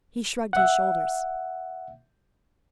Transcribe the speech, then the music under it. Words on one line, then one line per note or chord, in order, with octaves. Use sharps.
He shrugged his shoulders.
E5 F#5